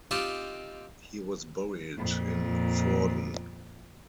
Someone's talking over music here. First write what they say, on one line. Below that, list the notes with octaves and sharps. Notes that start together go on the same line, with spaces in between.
He was buried in Vorden.
C4 D#4 F4 G4 D5 D#5
F2 A#2